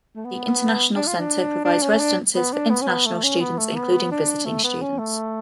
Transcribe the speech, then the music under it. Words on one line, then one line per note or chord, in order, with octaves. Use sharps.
The International Centre provides residences for international students, including visiting students.
A3
B3
D4
F4
D4
D4
C#4
D4
B3
D4
B3
C#4
B3
A3
C#4
B3
A3
B3
D4
A3
B3
C#4
A3